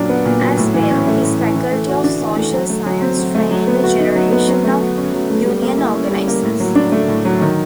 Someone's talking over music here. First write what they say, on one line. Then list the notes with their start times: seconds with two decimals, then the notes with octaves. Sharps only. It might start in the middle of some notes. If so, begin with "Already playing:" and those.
As well, his Faculty of Social Science trained a generation of union organizers.
Already playing: A#2 F#3 D4
0.09 B3
0.25 A#2
0.41 F#3
0.57 A2
0.74 E3
0.90 C#4
1.07 A3
1.23 A2
1.39 E3
1.56 E3
1.72 A3
1.89 F#4
2.04 D4
2.21 E3
2.36 A3
2.53 F#3
2.70 A3
2.86 F#3
3.01 C4
3.18 F#3
3.35 A3
3.51 F#3
3.67 B3
3.84 F#4
3.99 D#4
4.15 F#3
4.32 B3
4.48 F#3
4.64 A3
4.81 F#4
4.98 C#4
5.14 F#3
5.30 A3
5.45 G3
5.62 A#3
5.78 E4
5.95 C#4
6.10 G3
6.28 A#3
6.43 A2
6.60 F#3
6.75 D4
6.92 A3
7.08 A2
7.25 F#3
7.41 D#3